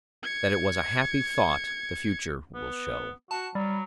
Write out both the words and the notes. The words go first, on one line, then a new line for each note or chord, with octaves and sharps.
That it was a happy thought the future will show.
G#6 C#7
B3
F#4 A5
F#3 G3